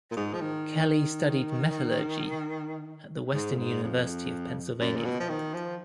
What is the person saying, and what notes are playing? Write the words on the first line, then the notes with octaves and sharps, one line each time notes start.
Kelly studied metallurgy at the Western University of Pennsylvania.
A#2
G#2
F3
D#3
G#2
A#2
G#2
F2
F#2
A#2
B2
F3
D#3
F3